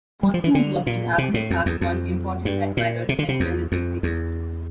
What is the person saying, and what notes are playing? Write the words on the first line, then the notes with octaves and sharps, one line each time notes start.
Hosking's work at Abney Park won important admirers, as well as critics.
G3
F3
E3
D3
A#2
C3
A2
F2
E2
F2
G2
A#2
C3
D3
C3
E2
F2
E2